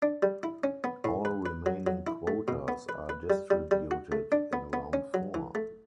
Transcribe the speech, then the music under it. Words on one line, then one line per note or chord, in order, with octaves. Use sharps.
All remaining quotas are distributed in round four.
D4
G3
E4
C#4
B3
A2
B4
B4
F#3
F#3
E4
A3
B2
B3
B4
B4
G3
G3
G3
F#4
A3
D4
B3
B3
C#4
F#3
E3
A3